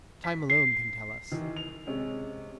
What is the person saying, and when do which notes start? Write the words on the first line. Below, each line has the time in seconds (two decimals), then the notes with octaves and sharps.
Time alone can tell us.
0.24 B6
0.50 C7
1.31 D#3 E3
1.56 F7
1.87 C3 G#3 C#4